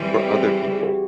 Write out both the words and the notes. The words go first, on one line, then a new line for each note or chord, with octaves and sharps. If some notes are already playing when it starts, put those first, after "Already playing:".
for other people,
Already playing: E3 G3 C4
G4
G4
G#4
G4
G4
G#4
F#4
G4